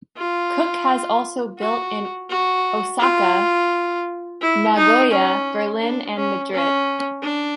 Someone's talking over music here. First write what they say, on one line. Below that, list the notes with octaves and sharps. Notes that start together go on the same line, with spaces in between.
Cook has also built in Osaka, Nagoya, Berlin and Madrid.
F4
F#4
F#4
F4
E4
D#4
C#4
D4
C#4
C#4
D4